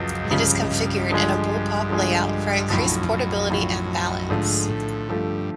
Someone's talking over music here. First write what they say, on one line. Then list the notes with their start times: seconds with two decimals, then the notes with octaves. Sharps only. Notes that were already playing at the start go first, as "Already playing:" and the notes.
It is configured in a bullpup layout for increased portability and balance.
Already playing: C#2 F#2 C#3 F3
0.24 G#2
0.31 C#2 G2 C#3 F3
0.71 G2
1.11 D3 F3 G#3
1.90 D3 F3 G#3
2.70 B1 F#2 A2 F3
3.02 F2
3.09 F#2
3.50 B1 A2 F3
4.29 G#2 D3 F3 A3
4.69 A2
5.09 G2 D3 F3 A3